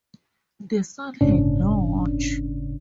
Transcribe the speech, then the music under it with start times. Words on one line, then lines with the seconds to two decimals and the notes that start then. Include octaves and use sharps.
The son had no watch.
1.21 G1 A2 C#3 C#4 D4